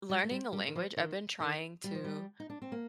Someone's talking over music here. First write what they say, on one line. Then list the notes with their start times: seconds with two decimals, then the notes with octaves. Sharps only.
learning a language, I've been trying to
0.09 G3
0.24 A3
0.31 G3
0.53 G3
0.68 D#3
0.75 F3
0.97 D#3
1.40 D#3
1.84 G3
1.95 F3
2.04 G3
2.40 D#4
2.50 D4
2.62 C4
2.72 A#3